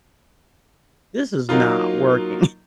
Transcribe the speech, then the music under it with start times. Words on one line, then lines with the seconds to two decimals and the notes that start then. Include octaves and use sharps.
this is not working."
1.49 F#3 A#3 D#4 F4